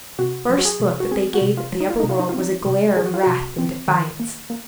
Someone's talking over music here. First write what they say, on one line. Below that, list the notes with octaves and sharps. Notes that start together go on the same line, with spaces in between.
The first look that they gave at the upper world was a glare of wrath and defiance.
C3 F#4
F#3
F#4
G#4
C3
F#4
C4 G#4
F#4
C3
F4
F#3
D#4
F4
C3 D#4
F4
D#4
F4
C4 D#4
C3
F#3 G#4
F#4
F4
C3 F#4
C4
D#3
A#3
A#3